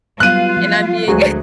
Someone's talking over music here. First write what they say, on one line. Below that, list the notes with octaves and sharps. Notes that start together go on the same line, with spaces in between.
and I'm being
F#3 G3 B3 F4 F5 F#6 D#7
F3 A3
D2 F#3 G#3